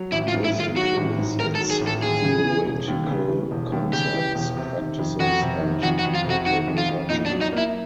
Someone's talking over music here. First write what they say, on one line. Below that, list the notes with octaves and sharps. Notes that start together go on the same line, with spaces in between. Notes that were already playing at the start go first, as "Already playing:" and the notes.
This includes its theoretical concepts, practices and methodology.
Already playing: F#3
A1 E4
F4
G#2
E4
D#3
F4
F#3 F#4
A1
G#2
D#3 A#4
A4
F#3
G#4
A1
A4
D#2 G#4
C#3
E3
E1
D#2
C#3
E3
E1
D#2
C#3 G4
E3
E1
C3
D#3
F2
F2 F#4
C3
D#3
F2 F#4
F#4
F2
F4
C3
F#4
D#3 F#4
F2
F4
F2
A#2 D#4
D4
F#3
D#4
A#3
E4